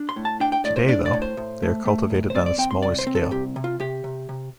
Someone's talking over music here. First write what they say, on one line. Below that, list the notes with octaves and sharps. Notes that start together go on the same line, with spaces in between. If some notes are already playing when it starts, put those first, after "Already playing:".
Today, though, they are cultivated on a smaller scale.
Already playing: D4
C6
A2
A5
D4 G5
G5
A2 D5
C5
D4 D5
D5
A2
C5
A2
A3
A3
C2
C5
C4 D5
D5
C4 G5
C6
C2 D5
C5
C4
A4
C2 G4
C3
F4
C3 G4
C3
C3